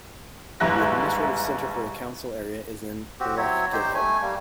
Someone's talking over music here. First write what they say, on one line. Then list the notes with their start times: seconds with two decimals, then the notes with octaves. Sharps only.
The administrative centre for the council area is in Lochgilphead.
0.60 G1 D#2 G#2 E4 F#6 A#6
3.20 C4 F#4 G4
3.37 F#3 C4 E4 C#5
3.72 D#4 G4 C5
3.94 A3 G#5
4.22 G3 A#3